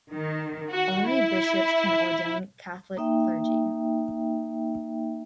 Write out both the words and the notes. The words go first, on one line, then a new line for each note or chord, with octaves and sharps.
Only bishops can ordain Catholic clergy.
D#3
F#4
E4
A#3 D#4 E5 G5